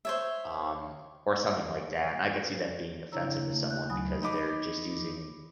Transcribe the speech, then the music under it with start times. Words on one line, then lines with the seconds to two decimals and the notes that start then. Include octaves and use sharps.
um, or something like that, and I could see that being offensive to someone because they're just using
0.05 C5 C#5 E5
3.12 C#3 D4 E4 C#5 A#5 E6
3.53 A3
3.70 F#6 G6
3.90 D2 F#3 G#5 B5 D#6
4.22 D#4 B5 D6